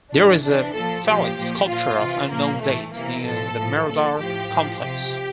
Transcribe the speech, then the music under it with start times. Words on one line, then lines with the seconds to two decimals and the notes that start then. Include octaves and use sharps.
There is a phallic sculpture of unknown date near the Mirador Complex.
0.12 A2 E3 D4
0.43 C3 E3 D4
0.74 A#2 F3 A4
1.05 A#2 F3 G4
1.37 A#2 F3
1.68 A#2 F3 F4
1.99 C3 E3
2.31 A#2 F3 A#3
2.62 A2 E3 A3
2.93 C3 E3 A#3
3.24 A2 F3 A4
3.55 A2 F3
3.86 A#2 F3 A4
4.18 A2 F3 G4
4.50 A2 F3
4.80 C3 F3 G4